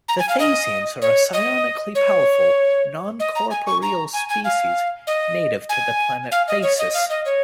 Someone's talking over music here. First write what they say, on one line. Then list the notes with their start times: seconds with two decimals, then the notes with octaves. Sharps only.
The Thasians are a psionically powerful, non-corporeal species, native to the planet Thasus.
0.08 A#5
0.19 G#5
0.29 F5
0.39 D#5
1.02 C#5
1.33 D#5
1.95 C#5
3.20 D#5
3.35 A#5
3.51 G#5
3.66 C#6
3.82 A#5
4.13 G#5
4.29 G#5
4.44 F5
5.07 D#5
5.69 G#5
6.31 F5
6.48 D#5
6.63 C#5
6.78 D#5
6.94 F5
7.10 D#5
7.25 C#5